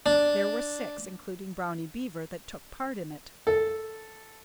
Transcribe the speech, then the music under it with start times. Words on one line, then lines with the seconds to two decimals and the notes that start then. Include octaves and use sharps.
There were six, including Brownie Beaver, that took part in it.
0.06 D4
3.47 A4